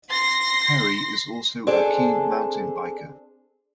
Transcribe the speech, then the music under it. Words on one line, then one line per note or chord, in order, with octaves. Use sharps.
Perry is also a keen mountain biker.
C6 A#6
C4 D4 G#4 A4